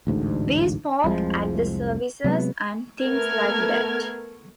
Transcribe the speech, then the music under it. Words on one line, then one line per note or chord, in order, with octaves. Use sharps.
We spoke at the services and things like that.
A1 D2 G#2
F1 C2 F3 G#3
C3 F#3 G#3 B3
A3 B3 A4 A#4 F6 G#6